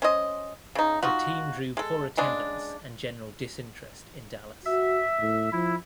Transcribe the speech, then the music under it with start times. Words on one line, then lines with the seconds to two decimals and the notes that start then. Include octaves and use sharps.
The team drew poor attendance and general disinterest in Dallas.
0.02 C#4 C5 D#5
0.75 C#3 D#4
1.03 D#4 F4 F#4
1.77 G#3 A4
2.17 C#3 G#3 D4
4.66 F#4 E5
5.20 A2
5.52 F3 E4